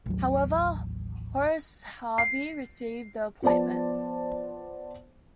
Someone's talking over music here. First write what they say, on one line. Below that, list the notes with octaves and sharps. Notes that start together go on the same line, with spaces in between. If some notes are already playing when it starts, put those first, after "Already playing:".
However, Horace Harvey received the appointment.
A1 D#2 F#3
C7
F3 B3 C5 D5 A5